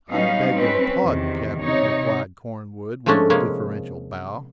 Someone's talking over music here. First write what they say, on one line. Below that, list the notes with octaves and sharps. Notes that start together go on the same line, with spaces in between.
"I beg your pardon, captain," replied Cornwood with a deferential bow.
F#3 G3 B3 C#4 D#4 F5
C4 C#4 B4
E2 C3 D#3
C3 D#4 C#5
F3 G#3 A3 C#4 D4
C3 G#3 A#3 C#4